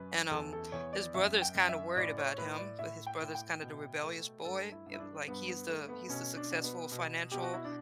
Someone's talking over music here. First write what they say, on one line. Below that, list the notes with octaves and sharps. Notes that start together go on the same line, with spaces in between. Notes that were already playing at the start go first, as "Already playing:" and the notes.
and, um, his brother's kinda worried about him, but his brother's kinda the rebellious boy, ye like, he's the he's the successful financial
Already playing: F#2 B4
E2 A4
A4
E2 C#5
D5
F#2 E5
G5
F#2
E5
A2 D5
C#5
A2 B4
D5
A2 E5
G5
A2
G5
B2
A3
G2 A4
E4
G2
E4
D4
G2 B3
B3
A3
B3
B2 C#4
D4
B2
B3
B2
B2 G4
F#4
E4
D4